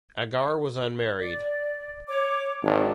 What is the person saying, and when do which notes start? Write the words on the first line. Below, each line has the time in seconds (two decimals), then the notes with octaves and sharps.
Agar was unmarried.
1.20 D5
2.08 C#5 D6
2.63 G#1 D4